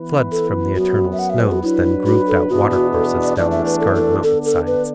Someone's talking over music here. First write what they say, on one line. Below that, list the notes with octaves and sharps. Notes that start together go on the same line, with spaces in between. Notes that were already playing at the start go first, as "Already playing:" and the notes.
Floods from the eternal snows then grooved out watercourses down the scarred mountainsides.
Already playing: E3 B3 E4 B4
A4
F#2 F#3 B3 F#4
E5
F#5
E5
B4
F#4
F#3 D4 E4 B4
F#4
A4
E2 B2 B3 D4 F#4
F#4
A4
D5
E2 E3 A3 D4 D5
E5
B4
A4
B4
A4
D3 B3 D4 A4
A4
B4